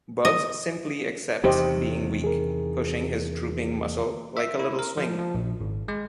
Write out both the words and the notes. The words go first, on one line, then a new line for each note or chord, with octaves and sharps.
Bugs simply accepts being weak, pushing his drooping muscle like a little swing.
D#5
E2 C3 D#3 G4 C5 D#5
G#4 A#4
E5
E4
A#4
F3
F3
A#1
G#1
G#3